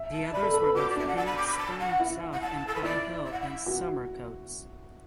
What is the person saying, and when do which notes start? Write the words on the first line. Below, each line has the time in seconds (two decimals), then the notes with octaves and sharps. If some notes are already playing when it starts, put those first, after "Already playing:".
The others were both Pinxton South and Pye Hill and Somercotes.
Already playing: E5
0.12 A5
0.33 D5 B5
0.43 A4
0.54 A4
0.64 B4
0.75 F#4 D6
0.90 D5
0.96 D4 E5
1.08 F#5
1.16 A5
1.26 B5
1.37 D6
1.48 B5
1.58 A5
1.79 F#5
2.00 E4
2.33 F#5
2.41 A5
2.67 A4
2.75 B4
2.83 E4 D5
3.24 E5
3.32 F#5
3.40 E5
3.66 F#4